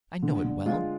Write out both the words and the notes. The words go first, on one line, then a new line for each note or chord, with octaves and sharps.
I know it well.
D3 D4
D3
G#3 F4